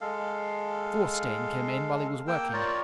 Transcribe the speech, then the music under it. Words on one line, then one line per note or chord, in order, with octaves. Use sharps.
Thorstein came in while he was working.
G#3 A4 F5
A#3 G5 E6
F4 A#4 C#5 D5